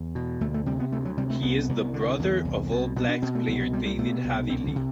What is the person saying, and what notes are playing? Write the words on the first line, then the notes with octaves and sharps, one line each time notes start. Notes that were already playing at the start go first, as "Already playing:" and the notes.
He is the brother of All Blacks player David Havili.
Already playing: E2
B2
D2 A3
A3
C3 G3
B3
D2 A3
F#3
C3 G3
A3
C2 B3
C2
D3
E2
C2
B2
B2 B3
D4
B2 C4
A3
C2 E3
F#3
C3 G3
G3
B2 A3
C2
D2 C4
D3
C3